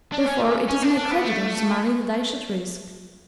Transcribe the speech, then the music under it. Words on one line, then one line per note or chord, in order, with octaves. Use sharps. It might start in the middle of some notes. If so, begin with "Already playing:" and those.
Therefore, it is my creditors' money that I should risk.'
D4
C#4
A3
C#4
D4
D4
B3
A3